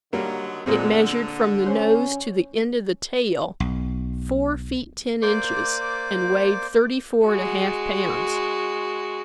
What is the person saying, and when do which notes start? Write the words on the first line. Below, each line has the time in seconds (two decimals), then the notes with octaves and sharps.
It measured from the nose to the end of the tail, four feet ten inches, and weighed thirty-four and a half pounds.
0.13 D3 D#3 F#3 G3 A#3
0.66 A#2 D3 G#3 C4
1.66 C#4 C5
3.60 B1
5.22 A#3 C5 D5 D6
7.24 G#3 F#4